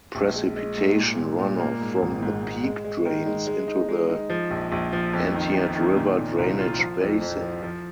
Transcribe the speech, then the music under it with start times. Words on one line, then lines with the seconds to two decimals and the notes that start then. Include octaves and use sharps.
Precipitation runoff from the peak drains into the Entiat River drainage basin.
0.15 A#1
0.35 G#3
0.56 G#3
0.77 G#2
0.98 A#2
1.18 A#2
1.39 A#2
1.60 A#3
1.81 G#2
2.02 G#1
2.22 G#2
2.43 G#2
2.63 G#3
2.84 G#3
3.06 D#3
3.26 G#3
3.47 G#3
3.68 D#4
3.88 G#3
4.09 D#4
4.30 F3
4.51 A#1
4.72 A#1
4.93 F3
5.13 F2
5.34 D#3
5.54 D#3
5.75 D#3
5.96 A#2
6.17 A#2
6.38 C2
6.59 F4
6.79 F3
7.01 F2
7.21 F2
7.41 F3
7.62 F3